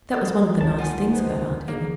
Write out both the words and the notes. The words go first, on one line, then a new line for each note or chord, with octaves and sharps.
That was one of the nice things about Aunt Emmy.
A#3 A4
C#2 F3 D4 C#5 A5
D#3 A#3 F4 F#5 G#5
G#3 B3 C5
A#3 G#4